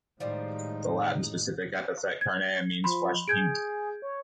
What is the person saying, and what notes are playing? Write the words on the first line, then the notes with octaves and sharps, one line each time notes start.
The Latin specific epithet "carnea" means "flesh pink".
A2 D#3 F3 G3 G#3 C4 D#4
G#6
F3 B5 C6
G#4 G6 G#6 D7
C#5